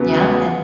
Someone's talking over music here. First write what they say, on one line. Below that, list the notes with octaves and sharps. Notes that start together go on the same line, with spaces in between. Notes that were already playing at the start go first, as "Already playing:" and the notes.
Yeah, and
Already playing: E2 C#3 F#3 B3
F#5